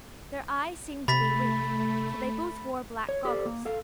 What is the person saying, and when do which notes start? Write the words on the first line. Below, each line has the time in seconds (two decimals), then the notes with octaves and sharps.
Their eyes seemed to be weak, for they both wore black goggles.
1.08 C3 A3 B5 A6 B6
3.09 C#5
3.25 G4 A4 C5 D5
3.46 A#3
3.65 A4 F5